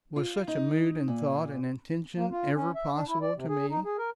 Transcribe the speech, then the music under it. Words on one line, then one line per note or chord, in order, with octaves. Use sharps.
Was such a mood and thought and intention ever possible to me?
F4
D#4
A#2
A#3
F4
C#4
E5
D4
E4
D5
C3
G#4
D#4
G#4
A#4